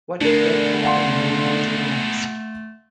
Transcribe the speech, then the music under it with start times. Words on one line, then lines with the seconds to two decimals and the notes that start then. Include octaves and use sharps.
What dreadful thing will you do next?
0.21 B2 D3 G#3 A3 D4 A#4
0.83 F5 F#5 C6